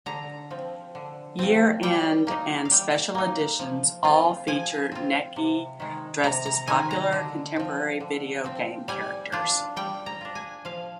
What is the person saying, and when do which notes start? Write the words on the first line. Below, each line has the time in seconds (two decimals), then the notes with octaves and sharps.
Year-end and special editions all feature Necky dressed as popular contemporary video game characters.
0.06 D3 A#5
0.51 F3 C4
0.95 D3
1.39 F3 C4
1.83 G3 G5
2.27 A#3 D#4
2.65 F5
2.71 G3 G5
3.15 A#3 D#4
3.59 F3
4.03 C4 F4
4.47 F3 G#5
4.92 C4 F4
5.36 C3
5.80 D#3 G#3
6.24 C3 A#5
6.46 A#5
6.67 D#3 G#3 G#5
6.91 A#5
7.13 D3
7.56 F3 C4
8.00 D3
8.44 F3 C4
8.88 G3 G#5
9.32 D4 F4
9.76 G3 G5
10.06 A#5
10.21 D4 F4
10.35 G#5
10.65 F3 F5